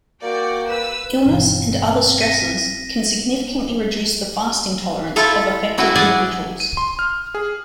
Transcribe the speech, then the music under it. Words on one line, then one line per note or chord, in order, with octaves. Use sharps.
Illnesses and other stresses can significantly reduce the fasting tolerance of affected individuals.
A#3 F#4 D5 G5
B4 E6
G1 B2 E3 C4
A#6 B6 D#7
E4 F4 A4 E5 F5
C#4 E4 F#4 B4 G5
G#4 D5 E5 F#5 G#5
D#7
C6
F6
G#4